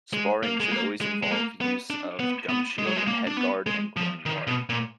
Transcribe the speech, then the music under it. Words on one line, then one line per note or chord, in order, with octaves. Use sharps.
Sparring should always involve use of a gumshield, head-guard and groin-guard.
G#3
A#3
G#3
A#3
G#3
G#3
A#3
B3
D4
B3
B3
G#3
F#3
G#3
A#3
D4
B3
G#3
F3
D#3
B2
A#2